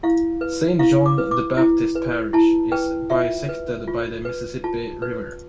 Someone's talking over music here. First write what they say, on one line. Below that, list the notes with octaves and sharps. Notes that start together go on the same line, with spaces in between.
Saint John the Baptist Parish is bisected by the Mississippi River.
E4 F5
B4
E4 F5
D6
B4
D6
E4
B4
E4 A5
B4 G5
F4 E5
B4
F4
B4
F4 A5
B4